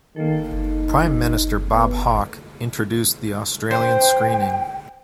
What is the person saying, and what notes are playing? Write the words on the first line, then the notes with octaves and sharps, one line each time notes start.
Prime Minister Bob Hawke introduced the Australian screening.
D#3 A#3 A4
D#4
B3
C5 G5